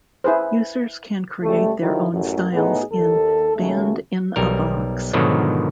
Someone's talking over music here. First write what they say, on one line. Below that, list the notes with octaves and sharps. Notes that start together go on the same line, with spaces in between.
Users can create their own styles in Band-in-a-Box.
E4 G#4 B4 C5
C#2 G3 A3
D3 D#3 F3 F#3 E4
A1 F#2
A2 B3 D#4 G#4
D#2 A4
D#2 C#3 F#3 G#3 A3
B1 G3 A#4
G#2 B2 D3 D#3 F3 F#3